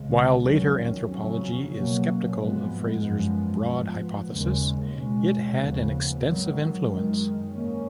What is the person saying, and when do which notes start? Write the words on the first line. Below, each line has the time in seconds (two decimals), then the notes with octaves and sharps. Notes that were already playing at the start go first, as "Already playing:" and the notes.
While later anthropology is sceptical of Frazer's broad hypothesis, it had an extensive influence.
Already playing: C#2 C#3 G#3
0.41 F2 D#3 F#3 C#4
1.06 F2 C#3 F#3 C#4
1.70 B2 F#3 A#3 C#4
2.35 G#2 F3 G#3 B3
2.99 F#2 F3 G#3 B3
3.63 G#2 F3 B3
4.28 D#2 C#3 G#3
4.93 B2 G#3 C#4
5.56 D#2 C#3 F3 B3
6.21 G#2 D#3 F#3 B3
6.85 F#2 D#3 G#3
7.50 G#2 D#3 A#3 C#4